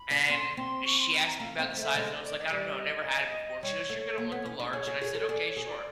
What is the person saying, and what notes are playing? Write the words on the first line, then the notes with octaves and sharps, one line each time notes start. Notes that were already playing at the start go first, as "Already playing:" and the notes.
And she asked me about the size, and I was, like, "I don't know, I never had it before." And she goes, "You're gonna want the large." And I said, "Okay. Sure."
Already playing: B5
D4
C#4 C6
C4 C6
C#6
C6
B5
A#5
A3 F5
C4 F5
A3
E5
G#3 D#5
D#5
D5
D#5
G3 D5
D#5
G3 C#5
A3
A#3
B3
C#4
D4
G#4 C#5
G#4
G#4
A4
G#4 D5
C#5
G#4
D5